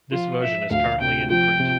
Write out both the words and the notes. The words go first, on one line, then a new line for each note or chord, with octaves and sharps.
This version is currently in print.
F3 F4
F3 E5
D2 F5
C3 G5
F3 G5
C3